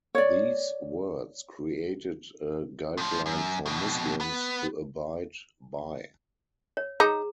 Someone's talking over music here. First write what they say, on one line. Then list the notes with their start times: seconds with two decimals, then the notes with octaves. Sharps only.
These words created a guideline for Muslims to abide by.
0.15 C#5 D5
2.97 A2 F3
3.26 F#2
3.66 F2 B2
4.21 B3
6.77 C#5
7.00 D#4 G#4 A#5